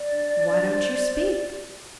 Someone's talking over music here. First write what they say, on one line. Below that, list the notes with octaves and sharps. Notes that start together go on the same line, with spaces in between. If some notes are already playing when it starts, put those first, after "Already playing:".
Why don't you speak?
Already playing: D5
D4
D4
C5